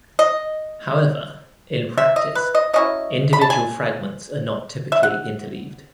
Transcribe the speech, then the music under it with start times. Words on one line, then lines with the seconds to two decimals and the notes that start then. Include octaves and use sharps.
However, in practice, individual fragments are not typically interleaved.
0.19 D#5
1.98 E5
2.16 D#5
2.35 B4
2.55 D#5
2.73 F#3 C#4 E4 D#5
3.33 B5
3.41 A5
3.50 G#5
4.92 E5
5.03 F#5